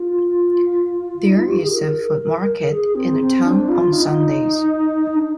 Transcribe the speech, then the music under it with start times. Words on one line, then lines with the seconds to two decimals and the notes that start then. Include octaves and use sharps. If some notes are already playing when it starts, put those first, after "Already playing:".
There is a food market in the town on Sundays.
Already playing: F4
1.24 D#4
1.36 F4
1.48 G4
1.60 G#4
1.72 A#4
2.71 G#4
2.95 C4
3.20 C4
3.44 D4
3.68 F4
3.92 D#4
5.15 D4